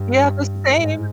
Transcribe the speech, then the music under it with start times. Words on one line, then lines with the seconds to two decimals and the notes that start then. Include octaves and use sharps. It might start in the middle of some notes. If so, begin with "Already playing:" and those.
Yeah, the same.
Already playing: G2
0.76 G#2